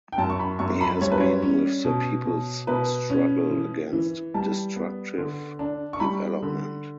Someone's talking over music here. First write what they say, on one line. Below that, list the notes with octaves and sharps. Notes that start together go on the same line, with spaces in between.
He has been with the people’s struggle against destructive development.
G5
F#2 A5
C#6
B5
F#2 C#6
B5
G3 C#5
B4
C#5
C#4
B2
B2
B2 B4
C#4
E3
E3
G3 A5
B3
D3
D4
C#6
G3 B5
D3